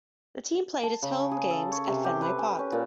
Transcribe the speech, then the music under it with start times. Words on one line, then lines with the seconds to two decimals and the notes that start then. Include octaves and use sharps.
The team played its home games at Fenway Park.
0.83 A5
1.02 C#3
1.31 G#4
1.50 A4
1.72 C#5
1.87 C3
2.04 G4
2.22 B4
2.38 G#5
2.59 C#4
2.72 A#2